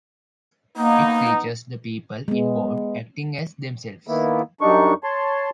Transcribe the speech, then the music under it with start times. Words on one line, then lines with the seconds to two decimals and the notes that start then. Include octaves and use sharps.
It features the people involved, acting as themselves.
0.77 A#3 B3 D#4
2.28 G#3 B3
4.07 D#3 A#3 B3 E4
4.61 F#2 G3 D4 D#4 C#6
5.04 C#5 A5 C6